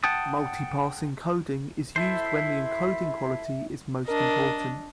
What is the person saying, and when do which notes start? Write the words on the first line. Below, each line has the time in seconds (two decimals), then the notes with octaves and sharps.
Multi-pass encoding is used when the encoding quality is most important.
0.04 F#5 G5 A5 D#6
1.96 E4 A4 C5 E5
4.08 D4 A#4 D#5